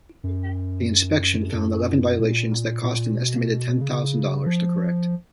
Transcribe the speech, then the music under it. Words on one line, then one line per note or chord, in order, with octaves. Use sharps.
The inspection found eleven violations that cost an estimated ten thousand dollars to correct.
F#2
F#2
A#2
A#2
B2
C#3
F3